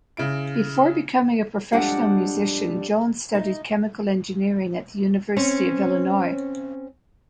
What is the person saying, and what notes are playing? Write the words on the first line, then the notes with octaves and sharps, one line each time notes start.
Before becoming a professional musician, Jones studied chemical engineering at the University of Illinois.
C#3 E4 D7
F2 G3 G#3 D4 F#5
D#4
C4 C#4 C#5